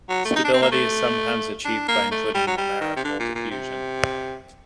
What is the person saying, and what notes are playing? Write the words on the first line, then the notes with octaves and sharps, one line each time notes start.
Stability is sometimes achieved by including numerical diffusion.
F#3
A3
D#4
D4
C4
A#3
A3
D4
A#3
A3
G3
F#3
G3
D#3
C3
D3
A#2
A#2
C3